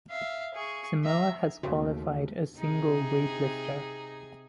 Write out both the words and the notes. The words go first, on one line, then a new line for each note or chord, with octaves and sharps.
Samoa has qualified a single weightlifter.
E5 F5
G#4 C#6
E5 A#5
D#2 C#3 A3 F#4
C3 D#4 G#4